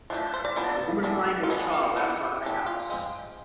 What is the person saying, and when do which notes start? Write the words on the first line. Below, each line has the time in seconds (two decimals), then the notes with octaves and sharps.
A woman playing with a child outside of a house.
0.10 F3 A3 D4
0.34 C5
0.45 D5
0.56 F3 B3 D4
1.03 E3 B3 D4
1.43 F4
1.50 F3 G#3 B3 D4 G#4
1.73 F4
1.96 F3 B3 D4 E4
2.43 E3 A3 D4
2.66 F4
2.90 G#3 C4